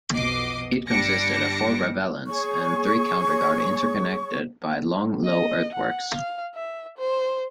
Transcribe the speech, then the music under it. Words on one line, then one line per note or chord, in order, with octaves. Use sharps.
It consisted of four ravelins and three counter guard interconnected by long, low earthworks.
B1 F2 B2 D#5 D6 C7
G1 G3 D4 D6 A#6 C#7
G#4 C#5 C#6
D#5
F#5
F5
E5
C5